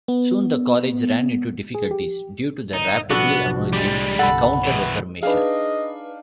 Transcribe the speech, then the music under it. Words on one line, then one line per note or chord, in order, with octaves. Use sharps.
Soon the College ran into difficulties due to the rapidly emerging Counter-Reformation.
B3
G#4
G4
G1 D#4
C2 A2 F3 B3 D4 F#4 A4
G3 G#3 G4
G1 C2 A4 F#5 B5
B2 E3
D4 D#4 G#4 B4 D#5 F5